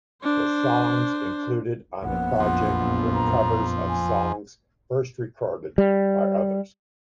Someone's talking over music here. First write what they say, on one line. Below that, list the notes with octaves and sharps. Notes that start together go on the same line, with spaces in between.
The songs included on the project were covers of songs first recorded by others.
D4 C5
A#1 F#2 B3 F#5
F2 F3
A#5
G#5
G3